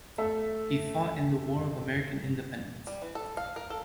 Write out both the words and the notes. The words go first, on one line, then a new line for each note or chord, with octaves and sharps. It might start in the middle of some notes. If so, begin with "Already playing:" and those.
He fought in the War of American Independence.
A3 A4 E5
G3
E3
A4
F5
A#4
A4